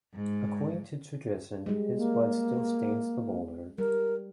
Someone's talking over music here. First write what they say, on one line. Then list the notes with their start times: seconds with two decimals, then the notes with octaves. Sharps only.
According to tradition his blood still stains the boulder.
0.14 G#2
1.66 G3 G#3
1.97 A#3
3.78 G3 A#4